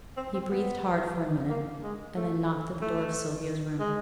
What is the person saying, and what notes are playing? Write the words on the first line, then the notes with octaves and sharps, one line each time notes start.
He breathed hard for a minute, and then knocked at the door of Sylvia's room.
C4
C4
B3
A#3
G#3
A3
A3
G#3